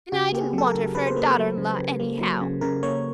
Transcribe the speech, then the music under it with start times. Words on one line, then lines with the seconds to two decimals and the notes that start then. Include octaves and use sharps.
And I didn't want her for a daughter-in-law anyhow.
0.12 C#3 F#4
0.32 A#3 G4
0.40 G#4
0.53 F#3 A4
0.67 A#4
0.74 C#3
0.95 C#3 B4
1.07 C5
1.16 A#3 B4
1.37 F#3
1.57 C#3
1.79 C#3
2.00 A#3
2.21 F#3
2.41 C#3
2.61 C#3 A#4
2.83 A#3 C#5